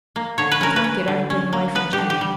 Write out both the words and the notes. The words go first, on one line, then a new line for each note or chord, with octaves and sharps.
He can't get over being away from Jeanie.
A#3
D3 C#5
B4
C#4 A#4
B4
C#4
D3
C#4
A#3
B3 B4
G4
D3
G4
G3